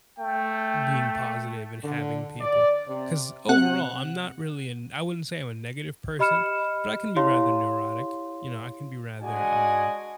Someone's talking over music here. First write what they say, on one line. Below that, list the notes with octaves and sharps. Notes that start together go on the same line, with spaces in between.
being positive and having people, 'cause overall, I'm not really an I wouldn't say I'm a negative person, but I can be rather neurotic. You know, I can be rather, uh,
A3 G5
D3
D5
C3
C3 F#5 F#6
G4 D#5 B5 F6 C#7 E7
E4 G4 C#5 F5 C6
G#3 D4 F#4 D5 D#5 G#5